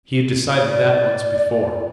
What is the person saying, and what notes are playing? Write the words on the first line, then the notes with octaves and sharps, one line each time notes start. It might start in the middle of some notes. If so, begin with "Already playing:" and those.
He had decided that once before!
D5